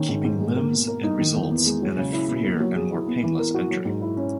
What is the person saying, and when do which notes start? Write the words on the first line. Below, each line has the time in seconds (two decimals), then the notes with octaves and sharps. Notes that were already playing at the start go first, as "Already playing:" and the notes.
Keeping limbs in results in a freer and more painless entry.
Already playing: D#3 C#4
0.08 G#2
0.24 G#2
0.40 G#3
0.56 A#3
0.71 B2
0.87 A#4
1.03 D#4
1.19 D#3
1.34 E2
1.50 E2
1.66 G#3
1.82 F#3
1.97 C#3
2.13 E4
2.28 B3
2.44 A#3
2.60 F#3
2.75 G#4
2.91 E4
3.07 B3
3.23 E3
3.39 A#4
3.54 F#4
3.70 F#3
3.85 G#2
4.01 E4
4.17 C#4